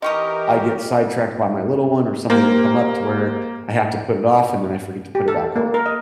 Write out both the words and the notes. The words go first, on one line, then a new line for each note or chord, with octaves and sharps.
I get sidetracked by my little one or something will come up to where I have to put it off, and then I forget to put it back on
E3 D#4 G4 A#4 C#5 D#5 D#6
A#3 G4 A#4 C5
G4
A4
A#3
A#4
D#5